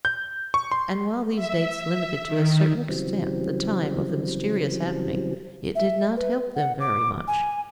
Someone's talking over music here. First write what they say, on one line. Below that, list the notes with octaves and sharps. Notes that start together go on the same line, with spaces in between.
And while these dates limited, to a certain extent the time of the mysterious happening, it did not help them very much.
G6
C#6
C6
E5
D#3
C#3 E3 F#3 G3 C4
E5
B4
F#5
D6
G#5